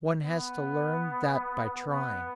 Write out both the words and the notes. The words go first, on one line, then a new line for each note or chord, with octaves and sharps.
One has to learn that by trying.
B3
B3